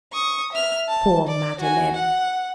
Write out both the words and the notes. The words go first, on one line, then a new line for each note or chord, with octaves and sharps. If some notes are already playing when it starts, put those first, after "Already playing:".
Poor Madeline!'
C#6 D#6
E5 F6
A5
D5
F#4 G#5
F#5